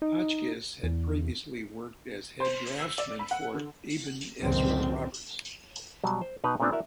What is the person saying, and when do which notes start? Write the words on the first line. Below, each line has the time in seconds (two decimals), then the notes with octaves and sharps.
Hotchkiss had previously worked as head draftsman for Eben Ezra Roberts.
0.02 D#4
0.83 E2
2.40 C5
2.80 E6
2.98 D5
3.19 B5
3.31 F#5
3.54 D3
4.40 C#2 F#2 A#2 D3 D#3 C4
6.04 B2 F#3 G3
6.22 C5
6.44 B2 D#4 B4 F#5 A#5
6.60 A#2 A3 B3 C4 D4 F4
6.72 E4 F#4 A#4 D5 E5